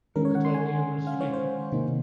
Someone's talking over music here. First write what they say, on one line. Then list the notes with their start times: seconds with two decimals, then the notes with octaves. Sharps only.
Louka told me you were asleep.
0.16 D#3 G#3 C#4 A#4
0.25 C#5
0.35 F#5
0.45 C6
0.54 G#5
1.07 F5
1.21 C#5
1.33 C5
1.72 C3 D#3 A#3 D#4